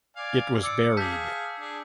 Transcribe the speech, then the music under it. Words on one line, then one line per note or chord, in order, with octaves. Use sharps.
It was buried.
D5 F5 G#5
D5 D6 E6 C#7
G#4 F5 A5 G6 B6
D4 G#4